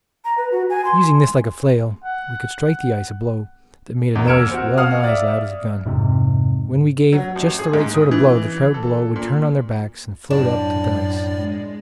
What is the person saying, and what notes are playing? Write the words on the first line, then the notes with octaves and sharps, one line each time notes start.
Using this like a flail, we could strike the ice a blow that made a noise well-nigh as loud as a gun. When we gave just the right sort of blow, the trout below would turn on their backs and float up to the ice.
A#5
B4
F#4
G#5
C6
F#5
E2 A#3
E6 F6 G#6 C#7 D7 E7
C4 F#4
F5 F#5 D#6 F6
D5 E5
F2 G#2 C3
F#3
A1
G#4
G#2
D#6
E3
A4
A#2
F#2 A2 D4 D5
G#3